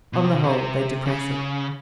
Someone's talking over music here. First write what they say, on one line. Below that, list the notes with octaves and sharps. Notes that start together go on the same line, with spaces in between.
On the whole they depress us.
B2
C3
B2
C3
C#3